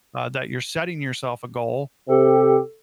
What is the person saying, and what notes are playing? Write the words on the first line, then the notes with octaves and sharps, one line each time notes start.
uh, that you're setting yourself a goal
C3 G4 A4